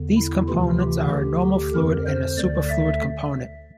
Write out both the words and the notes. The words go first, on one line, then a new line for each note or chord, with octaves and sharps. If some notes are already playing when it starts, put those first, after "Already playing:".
These components are a normal fluid and a superfluid component.
Already playing: E2 D3
E4
D2 C3 E3 F4
G4
D2 D3
F2 D3 A#4
C5
D2 D3 D5
E5